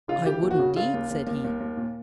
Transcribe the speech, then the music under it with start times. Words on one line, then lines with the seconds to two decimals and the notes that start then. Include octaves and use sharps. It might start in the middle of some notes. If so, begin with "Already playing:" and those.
"I would, indeed!" said he.
0.08 C#3 F4
0.26 E3 G4
0.43 D#2
0.51 F#4
0.59 C#3
0.76 C#3 F4
0.93 D#2
1.10 D#2
1.26 D#2
1.44 D#2
1.60 D#2
1.77 A#2